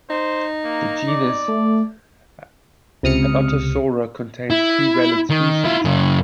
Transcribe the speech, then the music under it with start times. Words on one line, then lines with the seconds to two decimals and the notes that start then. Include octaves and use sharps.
The genus "Anotosaura" contains two valid species.
0.10 D#4 C5
0.65 A#3
1.08 D5
1.48 A3
3.03 C#2 C3 D#6 F6 C#7
4.50 E4
5.30 D#3
5.64 E4 F4
5.85 F#2 C#3